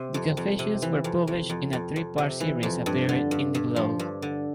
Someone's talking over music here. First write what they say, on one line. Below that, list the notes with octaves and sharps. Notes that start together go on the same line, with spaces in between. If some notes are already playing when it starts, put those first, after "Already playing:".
The confessions were published in a three-part series appearing in the "Globe".
Already playing: C3
F2
F2
C3
E3
F2
F2
F2
F2
F2
C3
E3
F2
G2
D3
G2
G2
F3
G2
D3